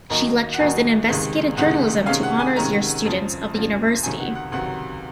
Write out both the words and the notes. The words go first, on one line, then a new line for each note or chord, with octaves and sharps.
She lectures in investigative journalism to honours year students of the University.
D#2 D#3 F#3 A#3 D#4 A#5
F#5
D#2 D#3 F#3 A#3 D#4 G#5
C#2 C3 D#3 G#3
C#2 C3 D#3 G#3 F#5
C3 D#3 G#3 C#4 F5
F#5
G#5
C3 D#3 G#3 C#4 A#5
F2 C#3 F3
F2 C#3 F3
C#2 C3 D#3 F#3 G#5
F#5
F#5
C#2 C3 D#3 F#3 F#5